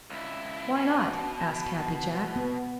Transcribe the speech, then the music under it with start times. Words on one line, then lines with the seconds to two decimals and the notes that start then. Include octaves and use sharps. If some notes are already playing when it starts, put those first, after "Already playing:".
"Why not?" asked Happy Jack.
0.10 C#2 E4
0.76 B2
2.36 B3